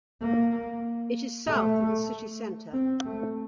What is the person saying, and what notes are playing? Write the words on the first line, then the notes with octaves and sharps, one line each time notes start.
It is south of the city centre.
A#3
A3
C4
A3